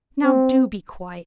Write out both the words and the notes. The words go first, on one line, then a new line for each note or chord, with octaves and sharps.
'Now do be quiet.
C4